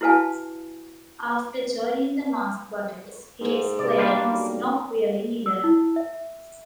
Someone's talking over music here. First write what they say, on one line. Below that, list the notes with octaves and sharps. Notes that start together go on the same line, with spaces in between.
After joining the mass protest, he explained: It's not really needed...
E4 F#4 B4 F5 G#5 A5
G#2
C3 D5
G3 A#3 D4 F4
B1
E6
E4
E5